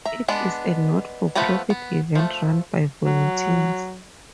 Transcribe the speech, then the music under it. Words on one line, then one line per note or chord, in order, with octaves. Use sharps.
It is a not for profit event run by volunteers.
E5 A#5
G#3 B3 D4
F3 A3 B3 B4 A#5
B3
F3 A3
F#3